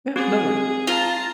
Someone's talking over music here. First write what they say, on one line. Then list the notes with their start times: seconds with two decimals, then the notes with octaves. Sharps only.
Yeah, no worries.
0.16 C4 F#4 G#4
0.87 F4 A5 A#5